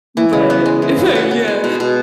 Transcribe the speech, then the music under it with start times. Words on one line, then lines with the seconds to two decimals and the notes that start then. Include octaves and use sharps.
but if I Yeah.
0.17 E3
0.33 C#3
0.50 B3
0.66 G#3
0.82 E3
0.98 C#3
1.15 F#4
1.31 B3
1.48 G#3
1.64 B2
1.80 B2